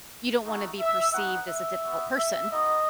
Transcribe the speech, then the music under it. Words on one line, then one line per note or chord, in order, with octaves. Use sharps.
you don't wanna be perceived as a difficult person.
A3 D#4 F#4
E5
B3 D#4 F#4 F#5
E5
B3 F#4
E5
B3 D#4 F#4 D#5